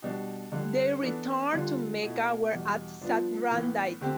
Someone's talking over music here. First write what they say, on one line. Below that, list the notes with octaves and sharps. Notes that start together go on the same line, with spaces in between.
They returned to Mecca, where As-Sakran died.
B2 G3 D4
G2 D3 G3
E3 B3 D4 A4
D3 G3 D4 F4
B2 A3 E4
E2 B2 G3
G2 F3 B3 D4 F4
A2 E3 B3
D3 A3 C4 G4